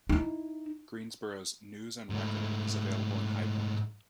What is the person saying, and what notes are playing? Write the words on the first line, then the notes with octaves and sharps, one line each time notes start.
Greensboro's "News and Record" is available in High Point.
D#4 E4
G#2 A3